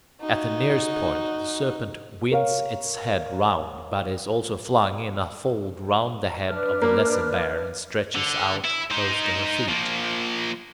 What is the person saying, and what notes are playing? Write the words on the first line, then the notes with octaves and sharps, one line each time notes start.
At the nearest point, the Serpent winds its head round, but is also flung in a fold round the head of the Lesser Bear, and stretches out close to her feet.
D#4 F#4
A#4 C#5 F5
D4 B4 F6
A#3
D3
E4
D#4 C5
F3 A#3